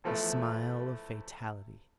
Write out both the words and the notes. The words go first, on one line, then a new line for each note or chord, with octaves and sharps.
The smile of Fatality!
E2 F3 A3 B3 E4